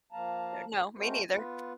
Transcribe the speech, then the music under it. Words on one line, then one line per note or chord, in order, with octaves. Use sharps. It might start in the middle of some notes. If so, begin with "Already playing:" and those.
Uh, no, me neither.
F3 A#3 F5 A5 A#5
G#3 A3 C4 F#4 A#4 C5
B3 F4 B4